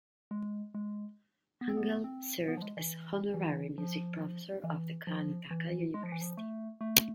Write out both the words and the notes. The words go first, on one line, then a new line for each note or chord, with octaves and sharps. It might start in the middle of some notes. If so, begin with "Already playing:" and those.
Hangal served as honorary music professor of the Karnataka University.
G#3
G#3
B3
C4
B3
C4
B3
F3
G#3
E3
E3
F3
E3
F3
E3
G#3
F3
E3
F3
A3
A3